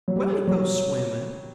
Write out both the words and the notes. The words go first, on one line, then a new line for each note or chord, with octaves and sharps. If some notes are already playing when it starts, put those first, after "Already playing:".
"Where we go swimmin'?"
F#3
G3
F#3